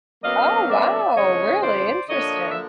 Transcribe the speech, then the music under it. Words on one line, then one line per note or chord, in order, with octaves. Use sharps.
Oh, wow, really? Interesting.
B2 F#3 A#3 C#4 D#5 F5
D5 E5
F2 C#3 E3 G#3 C#5 D#5
C5 D5
D3 F3 A#3 D4 C#5 D#5
E5